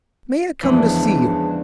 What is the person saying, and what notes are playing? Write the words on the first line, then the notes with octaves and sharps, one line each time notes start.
May I come to see you?
E2 C#3 E3 F3 G#3 D4